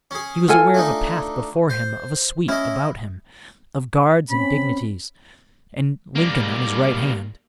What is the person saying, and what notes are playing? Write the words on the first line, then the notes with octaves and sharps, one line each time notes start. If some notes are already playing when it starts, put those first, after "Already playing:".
He was aware of a path before him, of a suite about him, of guards and dignities, and Lincoln on his right hand.
C#4 G#4
F4 A4 G#5
A3 D4 D#4
C5
C#4 E4 D#5
C4 C#4 B5
G3 A#3